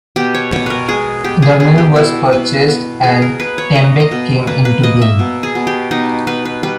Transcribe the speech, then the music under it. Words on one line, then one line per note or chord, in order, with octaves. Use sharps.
The mill was purchased and Tembec came into being.
B2 G4
C#5
B2 C#5
A#4 B4
G#3 G#4
B3 G4
G#4
B2 G#4
G4
B2 E4
B2 B4
B3
B2 G#4
A#4
A#3 B4
C#5
A#3 D#5
D#5
B2
A#3 B4
B4
A#3 D#5
E5
B2
G#4
B2
G4
B2 D#4
B2 B4
B4
G3 B4